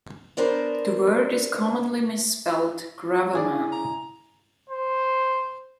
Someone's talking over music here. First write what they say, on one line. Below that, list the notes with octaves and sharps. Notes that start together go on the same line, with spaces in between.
The word is commonly misspelled "gravaman".
B3 D4 A#4 C5
C#4 E4 G#4 D5 G#5
A#5
C5